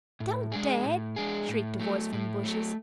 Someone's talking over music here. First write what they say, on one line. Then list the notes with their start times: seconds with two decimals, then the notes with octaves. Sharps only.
"Don't, Dad!" shrieked a voice from the bushes.
0.20 A2
0.52 G#3 D4 G#4
0.84 A2
1.16 G#3 D4 G#4
1.48 A2
1.80 F#3 A3
2.13 A2
2.44 F#3 A3